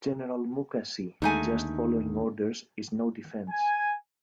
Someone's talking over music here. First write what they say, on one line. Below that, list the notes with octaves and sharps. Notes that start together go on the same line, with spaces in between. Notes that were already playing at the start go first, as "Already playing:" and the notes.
General Mukasey, just following orders is no defense!
D#2 D3 G#3 A3 D4 D#4 G#5
G#5